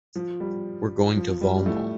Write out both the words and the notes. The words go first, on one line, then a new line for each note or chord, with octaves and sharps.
We’re going to Vallmoll.
F3
G3
F3
G3
G3
A2 A3